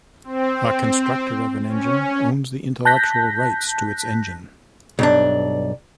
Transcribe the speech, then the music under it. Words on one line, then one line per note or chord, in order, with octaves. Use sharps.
A constructor of an engine owns the intellectual rights to its engine.
C4
C#4
A5 F#6 G6 A#6 B6
B1 G2 D4